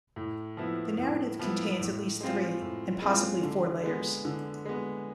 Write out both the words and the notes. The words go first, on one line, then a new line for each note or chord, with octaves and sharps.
The narrative contains at least three and possibly four layers.
A2
F3 B3 E4
A2
F3 B3 E4
A2
G#3 C4 F4
A2
G#3 C4 F4
D3
G#3 B3
D3
G#3 B3